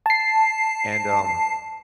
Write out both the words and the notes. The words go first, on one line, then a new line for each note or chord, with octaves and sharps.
and, um
A5 C7